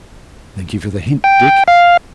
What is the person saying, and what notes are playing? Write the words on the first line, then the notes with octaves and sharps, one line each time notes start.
Thank you for the hint, Dick.'
G5
F5